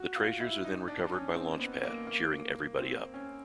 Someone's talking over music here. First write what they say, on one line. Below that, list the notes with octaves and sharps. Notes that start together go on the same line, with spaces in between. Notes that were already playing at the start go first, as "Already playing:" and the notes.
The treasures are then recovered by Launchpad, cheering everybody up.
Already playing: F#4
F4
E4
D#4
D4
C#4
C4
B3
A#3
A#3
C4
C#4